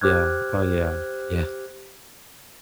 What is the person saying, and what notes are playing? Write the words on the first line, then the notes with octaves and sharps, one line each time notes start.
Yeah. Oh, yeah. Yeah.
G4 C5 D6 F6 F#6 G#6